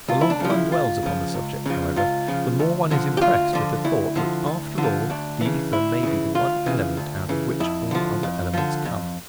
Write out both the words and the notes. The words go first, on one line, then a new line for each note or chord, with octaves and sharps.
The longer one dwells upon the subject, however, the more one is impressed with the thought that after all the ether may be the one element out of which all other elements come.
C#2 F4
E4
D4
C#3 F3
E4
C#2 F4
C#3 F3
C#2
C#3 F3
C#2 F4
C#3 F3
D2
D3 F3
G4
D2 F4
D3 F3
D2 E4
D3 F3
D2
D3 F3
D2 D4
C#3 E3
D2 E4
C#3 E3
D2 F4
C#3 E3
D2
C#3 E3
F2 E4
D3 F3
F2
D3 F3
F2